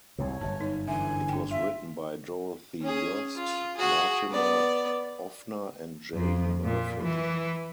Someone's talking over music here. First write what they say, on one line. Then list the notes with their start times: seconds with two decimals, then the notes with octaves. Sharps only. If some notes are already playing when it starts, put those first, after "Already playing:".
It was written by Dorothy Yost, Mortimer Offner and Jane Murfin.
0.18 C2 G#2 C3 C#5
0.41 G1 F#2 A5
0.61 D#4
0.88 D3 E3 E5 G#5
1.29 D4 G5
1.51 F4 E5
2.82 C#4 G#4
3.36 F4
3.77 F#4 G#4
4.30 B3 D5
6.13 F2
6.65 A#2
7.03 E3